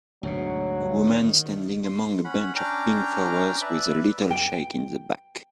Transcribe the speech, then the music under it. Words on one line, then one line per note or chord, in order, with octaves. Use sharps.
A woman standing among a bunch of pink flowers, with a little shack in the back.
D2 G#2 B2 F#3
D#3
C6
C#4 F#5 B5
C#4 D4 G5 A#5 D6 F6
B4 D5 E5
G5